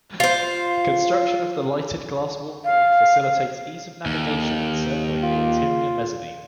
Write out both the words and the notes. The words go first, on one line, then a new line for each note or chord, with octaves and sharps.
Construction of the lighted glass walkway facilitates ease of navigation encircling the interior mezzanine.
F4 C5
F5
D#2
F4